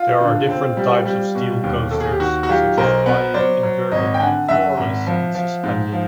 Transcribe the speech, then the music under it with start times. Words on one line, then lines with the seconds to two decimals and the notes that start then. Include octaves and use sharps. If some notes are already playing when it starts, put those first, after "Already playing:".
There are different types of steel coasters, such as flying, inverted, floorless, and suspended.
Already playing: F4
0.20 D3
0.49 C4
0.77 G3
1.05 G3
1.35 B2
1.63 D#2
1.91 D#2 A4
2.00 G#4
2.11 G4
2.20 D#3 F#4
2.43 F#4
2.49 F#3 F4 G4
2.77 B1 A#4 C5
3.06 B3
3.34 F#3 C5 D5
3.63 F#3
3.92 G#1 C#5 D#5
4.14 G5
4.20 D3 F#5 G#5
4.49 F#2 E5 F#5
4.77 G#1
5.07 F3
5.35 F3
5.63 G#2
5.92 F3